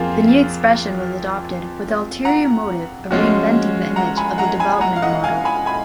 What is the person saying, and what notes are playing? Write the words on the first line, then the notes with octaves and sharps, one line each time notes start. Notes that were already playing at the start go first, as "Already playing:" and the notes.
The new expression was adopted with the ulterior motive of reinventing the image of the development model.
Already playing: F2 F3 A#3 F4 G#4
F#5 A#5
F3 G#3 C#4 F#4
F#5 A#5
G#5 B5
F#5 A#5
G#5 B5
B5
F#5 A#5
F5
D#5 F#5
F5 G#5
G#5 B5
G#5 B5